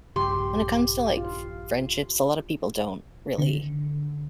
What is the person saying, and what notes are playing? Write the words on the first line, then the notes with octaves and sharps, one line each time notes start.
when it comes to, like, f friendships, a lotta people don't really
A#1 G2 C#3 G4 C6
F4
D3